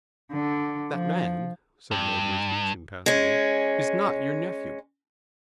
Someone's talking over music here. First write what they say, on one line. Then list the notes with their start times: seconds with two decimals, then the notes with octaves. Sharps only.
"That man," said Lord Wisbeach impassively, "is not your nephew."
0.32 D3
0.92 F3
1.91 G2
3.06 G#3 C#4